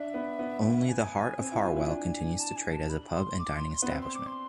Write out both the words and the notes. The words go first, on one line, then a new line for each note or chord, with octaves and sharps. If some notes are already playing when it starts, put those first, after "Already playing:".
Only The Hart of Harwell continues to trade as a pub and dining establishment.
Already playing: D4 E5
B3
B3
G#5
C4
E4
F4
E4
D4
A5
G#5
A5
B5
C6
D6
C6
C6
B3
C4
C6
D6
C6